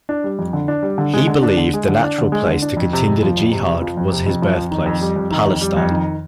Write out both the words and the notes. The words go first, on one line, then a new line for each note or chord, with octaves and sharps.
He believed the natural place to continue the jihad was his birthplace, Palestine.
D4
G3
F2
D3
D4
G3
D3
G#3
D3
D4
D3
G#3
D3
D4
D3
G#3
D3
D4
F2
C3
F2
F3
F2
C3
F2
F3
F2
C3
F2
F3
F2
D#3
F2
G3
F2
D#3
F2
G3
F2
D#3